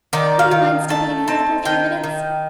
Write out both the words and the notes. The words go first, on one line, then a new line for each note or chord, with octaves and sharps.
Would you mind stepping in here for a few minutes?
D#3 D5
F5
D#3
A3 A5
C4 A5
D#3 G5
D#3